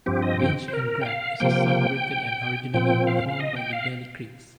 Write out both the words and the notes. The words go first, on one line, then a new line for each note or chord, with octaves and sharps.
Binge and Grab is a song written and originally performed by the Deli Creeps.
G2 F3 C4 G4
D#5
G5
C5
A#4
G5
F5
C3 F3 A#3 G5
A#2 F3 C4 G5
F5
F5
D#5
G5
F5